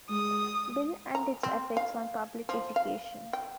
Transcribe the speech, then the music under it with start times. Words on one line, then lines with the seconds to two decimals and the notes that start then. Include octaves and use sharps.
Bill and its effects on public education.
0.10 G#3 D#6
1.15 A#5
1.43 C4
1.77 F5
2.49 F3
2.76 F5
3.33 G5